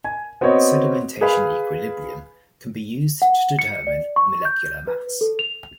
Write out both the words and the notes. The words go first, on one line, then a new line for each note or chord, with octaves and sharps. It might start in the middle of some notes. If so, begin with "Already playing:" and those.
Sedimentation equilibrium can be used to determine molecular mass.
G#5
B3 C4 F#4 B4 C#5 D#5
G#4 B4 F5 B5
F#5
C#7
D5
C#6
G6
B4
A4
F7